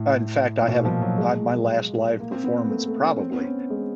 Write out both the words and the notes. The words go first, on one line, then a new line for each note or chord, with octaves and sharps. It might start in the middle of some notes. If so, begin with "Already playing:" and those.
in fact, I haven't uh, my last live performance probably
Already playing: A2
A#2
B2
F3
F#3
G#3
A#3
C4
B3
A#3
A3
A3
C#4
C4
B3
C#4
C4
G#3